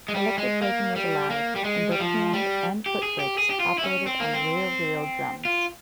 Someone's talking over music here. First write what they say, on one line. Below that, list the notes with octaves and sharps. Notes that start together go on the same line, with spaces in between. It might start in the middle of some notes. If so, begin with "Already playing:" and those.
Electric braking was allowed, and both hand- and foot-brakes operated on rear wheel drums.
G#3
G3
G#3
A#3
G3
A#3
G3
G#3
G3
F3
G3
G4
G#4
G4
G#4
G4
F4
E4
C#4
C4
A#3
C4
F4